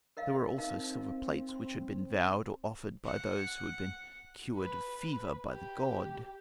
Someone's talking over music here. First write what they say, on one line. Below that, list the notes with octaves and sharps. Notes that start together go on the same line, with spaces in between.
There were also silver plates which had been vowed or offered by those who had been cured of fever by the god.
A#4 D#5 F5
C4 D#4 A#4 F5
C6
F#5
B4
G4